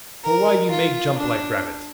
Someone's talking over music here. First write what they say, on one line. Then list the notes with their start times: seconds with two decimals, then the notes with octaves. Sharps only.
For why you make jumps like rabbits!
0.24 A#4
0.70 F4
1.17 D4